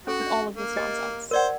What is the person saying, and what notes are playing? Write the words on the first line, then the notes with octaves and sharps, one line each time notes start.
with all of this nonsense,
C#4 F#4 A4
D4
A#3
G4 D#5 G#5
A#4 C5 D5 F#5